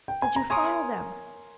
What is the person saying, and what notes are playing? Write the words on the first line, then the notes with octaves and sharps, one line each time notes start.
"Did you follow them?"
G5
G#5
A#5
A#4 C#5 G#5 C6 D#6